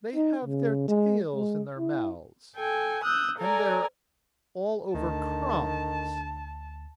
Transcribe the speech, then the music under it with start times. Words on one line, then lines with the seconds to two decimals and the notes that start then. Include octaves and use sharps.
'They have their tails in their mouths--and they're all over crumbs.'
0.15 D#4
0.45 C#3
0.88 G#3
1.36 G#3
1.78 E4
2.56 A4 G5 G#5
3.04 D#6 E6 F#6 G6
3.38 A4 A#4 D5 G#5 A#5
4.94 D2 D3 D#3 A5